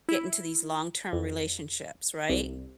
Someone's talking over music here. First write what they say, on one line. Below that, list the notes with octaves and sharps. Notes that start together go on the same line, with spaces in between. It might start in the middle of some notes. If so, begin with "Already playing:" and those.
get into these long-term relationships, right?
E4
F2
C2